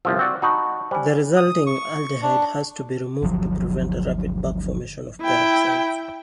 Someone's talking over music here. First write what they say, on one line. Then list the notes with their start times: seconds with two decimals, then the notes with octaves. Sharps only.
The resulting aldehyde has to be removed to prevent a rapid back-formation of peroxides.
0.05 G1 C2 F3 E6
0.19 C4 F#4 D5
0.42 D#4 F#4 A5 B5 C#6
0.91 G3 C5 G#5
1.37 D#6
1.67 C#6
2.22 D4
3.22 G1 D2 F3 F#3
5.22 E4 G5